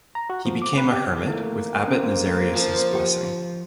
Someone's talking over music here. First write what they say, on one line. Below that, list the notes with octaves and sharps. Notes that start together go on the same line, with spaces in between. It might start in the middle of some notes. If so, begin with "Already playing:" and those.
He became a hermit with Abbot Nazarius' blessing.
A#5
F#4
F3
D6
B4
G4
A3 A#3 E4
C#4 C5
F3
G4 G5